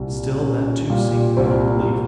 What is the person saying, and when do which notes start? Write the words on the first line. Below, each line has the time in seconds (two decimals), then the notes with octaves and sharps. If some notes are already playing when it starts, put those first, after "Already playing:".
Still, that too seemed beyond belief.
Already playing: C2 A#2
0.41 A#2 C#4
0.90 A#2 G3
1.37 C2 C4